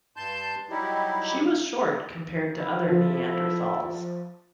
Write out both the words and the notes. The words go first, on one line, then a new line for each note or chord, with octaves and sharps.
She was short compared to other Neanderthals.
G2 A5 C6 G6
F#3 G3 D#4 E4 G4
E4
F3 E4 A4 E5